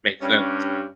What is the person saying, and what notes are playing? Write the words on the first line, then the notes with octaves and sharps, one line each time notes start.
Makes sense.
G2 C#4